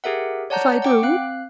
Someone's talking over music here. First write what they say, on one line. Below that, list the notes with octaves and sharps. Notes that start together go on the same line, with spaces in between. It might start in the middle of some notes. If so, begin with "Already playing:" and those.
"If I do?"
G4 G#4 A#4 E5 F#5
C#5 D5 F#5 A5 A#5 G6
F#5 G5 D6
C4 F5 F#6